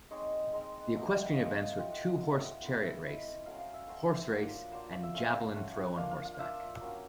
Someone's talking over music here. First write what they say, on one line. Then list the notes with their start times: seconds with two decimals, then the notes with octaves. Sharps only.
The equestrian events were two-horse chariot race, horse race, and javelin throw on horseback.
0.11 G#3 C4 D#4 C#5
0.53 G#3 C4 D#4
0.94 F#3 A3 C4 D#4 G5
1.09 F#5
1.22 F5
1.37 F#3 A3 C4 D#4 F5
1.78 A3 C4 F4 G5
1.92 F#5
2.06 F5
2.20 A3 C4 F4 F#5
2.31 G5
2.41 F#5
2.52 G5
2.62 A3 C4 E4 F#5
2.83 E5
3.04 A3 C4 E4 D#5
3.46 F#3 A3 C#4 F5
3.59 F5
3.74 E5
3.88 F#3 A3 C#4 C5
4.30 F#3 A#3 D4 F4
4.72 F#3 A#3 D4 F4 C5
5.03 E5
5.14 A3 C#4 F4 F5
5.27 E5
5.55 A3 C#4 F4 F#5
5.76 F#5
5.97 A#3 D4 F4 F5
6.11 F5
6.25 F5
6.39 A#3 D4 F4 E5
6.81 F#3 A#3 C#4